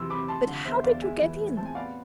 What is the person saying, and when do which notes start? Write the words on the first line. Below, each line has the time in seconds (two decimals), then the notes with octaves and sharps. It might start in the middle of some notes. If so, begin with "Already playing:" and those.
"But how did you get in?"
Already playing: C3 E3 C6 E6
0.10 C4 B5 D6
0.28 A3 A5 C6
0.47 D3
0.65 E2 C5 E5
0.84 E2 D5 F5
1.02 G#3 E5 G#5
1.20 E3
1.39 A2
1.57 C4 A5
1.65 G#5
1.75 B3 D5 F5